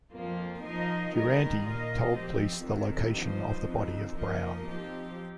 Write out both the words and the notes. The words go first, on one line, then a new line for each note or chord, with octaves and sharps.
Durante told police the location of the body of Brown.
F2 F3 A#3 F4
F3 D#4 A#4 D#5
D#3 G3 D#4 A#4 D#5
A#2 A#3 F4 D#5
F3 C4 G4
F2 C3 D#3 C4
G2 F3 D#4 C5 D#5
F2 F3 C4 D#4
F3 A#3 D#4 A#4 D#5
F3 C4 D#4 G4